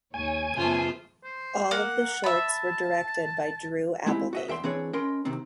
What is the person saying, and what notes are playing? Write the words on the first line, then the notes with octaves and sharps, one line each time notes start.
All of the shorts were directed by Drew Applegate.
D#2 C#5 G#5
F#2 C#3 A3 B3 F4 C5
C5
A#3 F#5
E5 A5 B5
G#3 C4 E4 G4
F#4 D#5 E5
E2 E5 G5 C6
E3 C4 D4 G#4 C#5
C#4 A#4 D#5 G5 B5 C6
C3 D#3 C4